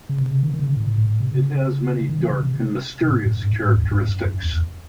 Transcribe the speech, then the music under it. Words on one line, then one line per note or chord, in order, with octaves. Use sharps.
It has many dark and mysterious characteristics.
C#3
C3
C#3
D#3
D#3
C#3
A2
A2
A2
C3
C#3
C#3
D#3
E3
C#3
C3
C3
A2
F#2
G#2
A2
G#2
E2
F#2
G#2
F#2
F#2
E2
E2